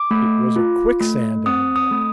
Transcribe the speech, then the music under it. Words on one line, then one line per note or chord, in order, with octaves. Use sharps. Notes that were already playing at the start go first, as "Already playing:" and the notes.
It was a quicksand of a bed.
Already playing: D6
A3
F4
A3
C4 D#6
D#6
A3